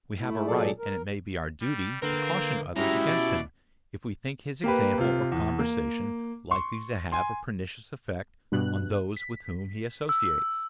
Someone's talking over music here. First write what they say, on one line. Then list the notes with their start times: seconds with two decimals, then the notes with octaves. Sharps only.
We have a right, and it may be our duty, to caution others against him, if we think his example or conversation likely to have a pernicious effect on those with whom he associates.
0.20 A3 E4
0.46 A#2 F#3 G#4 A4 D5
0.79 A#4
1.61 G3
2.02 D3 C4 A#4 B4 F5
2.76 G3 G#3 C#4 E4 F#4 G4 A#5
3.08 B2 D5
4.64 A#3 G4 B4
4.98 C3 F4
5.32 E2
5.59 A#3
6.51 C6 C#6
7.12 G#5 C6
8.52 G2 B2 F#6
9.17 B6
10.09 E6